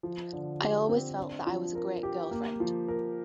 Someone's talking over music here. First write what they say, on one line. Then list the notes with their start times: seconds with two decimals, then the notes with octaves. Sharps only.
I always felt that I was a great girlfriend.
0.03 F3
0.33 D3
0.60 G4
0.89 C4
1.18 D4
1.46 F3
1.75 A#4
2.03 G4
2.31 A#3
2.60 F3
2.88 A#4